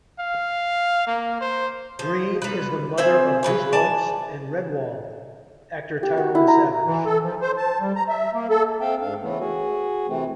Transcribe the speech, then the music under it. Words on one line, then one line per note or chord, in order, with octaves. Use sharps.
Green is the mother of "Goosebumps" and "Redwall" actor Tyrone Savage.
F5
A#3
C5
F3 C5
G3 B4
C4 C5 E5 G#5
C#3 A3 B4 C#5
D5 G#5 A5
G4
F#4
E4
A#5
E3
A4
F3
C5
A5
G3
A#5
E5
A#3
A4
C4 A4 E5 F5 G5
G#2 D4 F5
C#3 E3 A3 B3
F#4 G#4
C3 E3 A3 C4